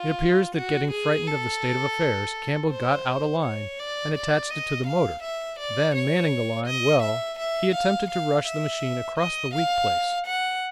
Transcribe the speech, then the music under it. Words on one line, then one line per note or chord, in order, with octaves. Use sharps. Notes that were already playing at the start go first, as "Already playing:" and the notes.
It appears that getting frightened of the state of affairs Campbell got out a line and attached it to the motor--then manning the line well he attempted to rush the machine across the weak place.
Already playing: F4
F#4
G#4
A4
C5
C#5
D5
D5
D#5
F5
E5
D5
C#5
D#5
E5
E5
F5
F5
E5
D#5
F5
F#5